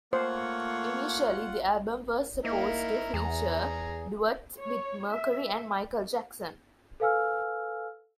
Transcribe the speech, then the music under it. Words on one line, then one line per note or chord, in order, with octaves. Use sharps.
Initially, the album was supposed to feature duets with Mercury and Michael Jackson.
A3 A#3 F4 C5 C#5 F#5
A#3 D#4 E4 A#4
E2 G#4 A#5
C#5
E5
A4 B4 F5 G#5 E6 F6